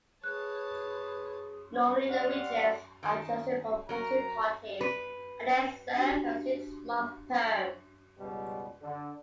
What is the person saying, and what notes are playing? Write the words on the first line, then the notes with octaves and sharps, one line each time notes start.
Normally the Regents are chosen from opposing parties and they serve a six-month term.
G#4 B4 C#5 A5 F#6
G4 D5 F5 F#5
D#3 G#5 A5
F#3 A#4 A#5
B4
D4 F#4 G4
C#2 B2 G3
D3